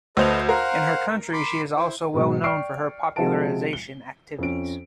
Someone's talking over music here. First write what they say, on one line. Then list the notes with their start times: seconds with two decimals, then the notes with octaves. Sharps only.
In her country she is also well known for her popularization activities.
0.17 D2 A4 B4 C5 D#5 F7
0.49 A#4 C5 F5 F#5
1.33 B5 C6 D6
1.76 E4 C5
2.14 G#2 B2 F#3
2.44 D5 G5 C#6 F6 C7 D7
3.16 C3 F3 G#3 F#4 A5 D7
3.73 G7
4.39 F2 C#4 D7